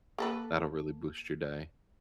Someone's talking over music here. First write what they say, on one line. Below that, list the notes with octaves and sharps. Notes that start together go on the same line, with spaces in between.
That'll really boost your day.
A#3 A4 B4